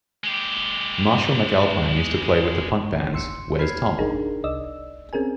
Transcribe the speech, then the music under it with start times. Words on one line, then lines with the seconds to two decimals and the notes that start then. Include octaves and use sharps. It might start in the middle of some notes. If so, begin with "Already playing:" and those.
Marshall McAlpine used to play with the punk bands Where's Tom?
0.24 G#3 G4
3.13 A1 C6 E6 C#7
3.59 B5 F6 G#6 C7
3.98 G#1 D4 D#4 G#4 A#4
4.44 C2 D5 D#5 E6
5.13 C4 C#4 G#4 A#4 G#5